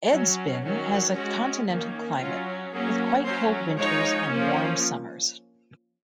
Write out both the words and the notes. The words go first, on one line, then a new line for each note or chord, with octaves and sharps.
Edsbyn has an continental climate with quite cold winters and warm summers.
F#3 C#4
D#3 F#3 C#4
G#3 C#4 F#4
D#3 A#3 C#4
F#3 C#4 F4
F#3 A#3 C#4 G#4
F#3 C#4 C5
F3 G#3 D#4 C#5
F3 A#3 C#4